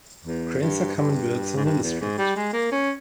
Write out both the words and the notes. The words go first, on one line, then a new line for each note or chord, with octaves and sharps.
Cranes are common birds in the district.
E2
G2
G2
G#2
G2
E2
G#2
G3
G#3
A#3
C#4